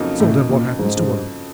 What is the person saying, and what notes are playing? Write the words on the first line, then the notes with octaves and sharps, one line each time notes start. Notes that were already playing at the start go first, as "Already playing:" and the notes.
So then what happens to her?
Already playing: F2 C#3 F#3 A#3 D#4
A2
A#2
G#2
G#2
G2